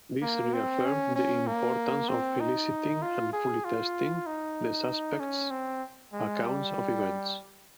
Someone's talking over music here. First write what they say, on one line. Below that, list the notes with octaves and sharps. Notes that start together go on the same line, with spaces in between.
This reaffirmed the importance of eliciting and fully testing the suspects’ accounts of events.
A#3
C4
C#4
C#4
A#3
C4
D#4
F4
G#4
F4
D#4
C#4
C4
G#3
G3